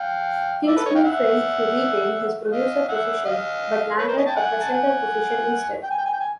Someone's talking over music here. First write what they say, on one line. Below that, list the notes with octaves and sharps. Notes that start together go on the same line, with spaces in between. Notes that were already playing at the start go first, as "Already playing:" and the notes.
Kingsmill failed to regain his producer position, but landed a presenter position instead.
Already playing: F5 G5
D5 E5
A4 B4
C#5 D#5
F5 G5
E5 F#5
D#5 F5
E5 F#5
D#5 F5
B4 C#5
A#4 C5
C#5 D#5
G5 A5
F#5 G#5
A5
F#5 G#5
G5
G#5
G5
G#5
G5
G#5